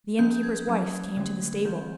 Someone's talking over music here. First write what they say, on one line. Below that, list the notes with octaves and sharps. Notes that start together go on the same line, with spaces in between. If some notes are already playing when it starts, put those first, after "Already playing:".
The inn-keeper's wife came to the stable.
F3 A#3 C#4 G6
G#6
F#3 A#3 C#4
D3 F#3 A3 C#4
E3 G3 C4 G6